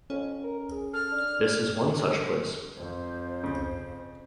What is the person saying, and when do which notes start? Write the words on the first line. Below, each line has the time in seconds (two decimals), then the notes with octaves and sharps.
This is one such place.
0.10 F2 C#4
0.44 A#4
0.71 G#4
0.94 A4 F6
1.12 D4
2.77 F2 C5
3.44 C#3